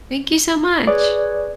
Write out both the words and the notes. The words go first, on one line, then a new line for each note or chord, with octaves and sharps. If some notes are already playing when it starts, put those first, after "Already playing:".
Thank you so much.
G#4 B4 C#5 D5